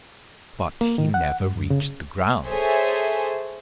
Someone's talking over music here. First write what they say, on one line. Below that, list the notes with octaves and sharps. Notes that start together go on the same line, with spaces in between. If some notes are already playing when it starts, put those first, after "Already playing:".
But he never reached the ground.
A#3
D#3
F#5
G2
F#2
C#3
G#4 A4 C5 C#5 E5 G#5